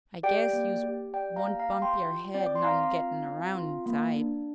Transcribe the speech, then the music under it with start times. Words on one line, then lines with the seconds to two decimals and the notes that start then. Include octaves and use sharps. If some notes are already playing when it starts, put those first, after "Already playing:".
"I guess youse won't bump yer head none gettin' around inside."
0.23 G4 D5 G5
0.53 A#3
0.83 G4
1.14 G4 D5 G5
1.36 F5 A#5
1.44 A#3
1.59 F5 A#5
1.74 G4
1.82 G5 C6
2.05 F4
2.35 C4 D5 G5
2.46 D6
2.55 C6
2.64 C4 F5 A#5
2.95 F4
3.25 C4
3.55 F4
3.86 A#3
4.15 D4